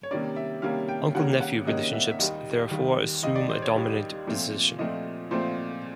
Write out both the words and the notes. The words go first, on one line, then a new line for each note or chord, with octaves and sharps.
Uncle-nephew relationships therefore assume a dominant position.
C#5
C3 D#3 G3 A#3 C#4 D5
E5
C3 D#3 G3 A#3 C#4 F5
G5
C3 D#3 G3 A#3 C#4 F#5
F#5
C3 D#3 G3 A#3 C#4 D#5
E5
E5
D#2 D#3 G3 D#5
D#2 D#3 G3
D#2 D#3 G3 D#5
D5
C5
C#5
D#2 D#3 G3
A#2 F3 A3 C4
A#2 F3 A3 C4 D#5
A#2 F3 A3 C4 C5